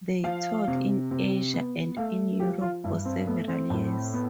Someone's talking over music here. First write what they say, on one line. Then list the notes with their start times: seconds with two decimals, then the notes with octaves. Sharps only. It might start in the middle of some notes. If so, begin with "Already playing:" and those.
They toured in Asia and in Europe for several years.
0.24 F3 F5
0.67 C3
1.11 C3
1.54 B3
1.97 A3 F5
2.40 F3 G4
2.61 F4
2.84 G2 E4
3.05 C4
3.26 A3 B3
3.48 C4
3.70 A2
4.14 B3